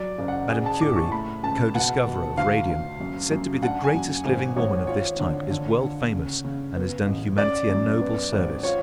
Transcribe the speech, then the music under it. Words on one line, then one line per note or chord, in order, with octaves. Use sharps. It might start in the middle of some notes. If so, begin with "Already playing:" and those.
Madame Curie, co-discoverer of radium, said to be the greatest living woman of this type, is world-famous and has done humanity a noble service.
Already playing: F#3 D5
F#1
F#5
G#4 G#5
A5
A2 D6
C#6
A3 B5
C#2 A5
B2 F#5
B2
D2 F5
D2
F#2
F#2
D4 F#5
G#5
F#2
G#1
G#1 C#5
F4 C#5
D3
D3
D3
C#3
C#3
B3
A1
C#4 D5
F#2
B3
G#1
F4 C#5